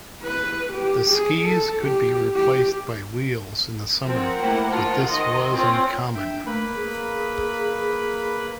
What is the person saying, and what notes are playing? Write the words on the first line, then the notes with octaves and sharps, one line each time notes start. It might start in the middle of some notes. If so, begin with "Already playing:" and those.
The skis could be replaced by wheels in the summer, but this was uncommon.
B4
G4
G#4
A4
G4
G4
F3 C4 A#4 C5 F#5
A3 A#3 E4 G5
D#3 F4 A5
D#3 D#5 C6
C4 C#4 F4
D4 E5 G5
A3 A#3 B4 B5
G#4